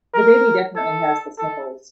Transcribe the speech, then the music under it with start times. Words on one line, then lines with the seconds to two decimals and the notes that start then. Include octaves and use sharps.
The baby definitely has the sniffles.
0.14 A#4
0.76 A4
1.38 A4